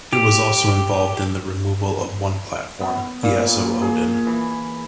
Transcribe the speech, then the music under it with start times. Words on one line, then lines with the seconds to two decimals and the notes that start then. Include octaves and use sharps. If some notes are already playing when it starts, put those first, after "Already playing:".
It was also involved in the removal of one platform, the Esso Odin.
0.13 G4
2.81 B3
3.23 A#2
3.47 A#2
3.82 G#4
4.27 E3